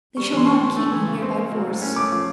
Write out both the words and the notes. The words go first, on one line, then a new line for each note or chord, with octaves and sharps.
They shall not keep me here by force.
G3 C#6
E3 C6
A2 C#6
A2
A3
E3
C#3
C4
A#3
F#3
A2
C#4
A3 D6
F3